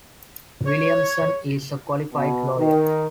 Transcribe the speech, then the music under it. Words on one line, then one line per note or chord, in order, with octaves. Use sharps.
Williamson is a qualified lawyer.
C#5
B2
D#3